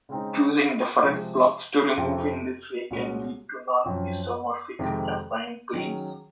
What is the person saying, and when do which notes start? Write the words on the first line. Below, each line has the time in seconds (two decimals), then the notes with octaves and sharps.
Choosing different blocks to remove in this way can lead to non-isomorphic affine planes.
0.09 C#3 G#3 C4 D#4
1.03 C3 F3 G#3
1.97 F2 C3 F3 C4
2.91 C2 A#2 G#3 C#4 F#4
3.84 F#2 F3 C4
4.79 F2 C3 D#3 G#3
5.73 D#3 F#3 C#4 G#4